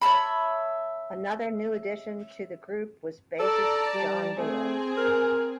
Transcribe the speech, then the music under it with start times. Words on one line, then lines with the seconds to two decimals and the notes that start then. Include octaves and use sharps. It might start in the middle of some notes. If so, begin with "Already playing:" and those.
Another new addition to the group was bassist John Beal.
0.02 C#5 E5 A5 B5
3.40 A4 D5 A5 A#5
3.94 G3
4.38 A3 C4 G#4
4.97 A#4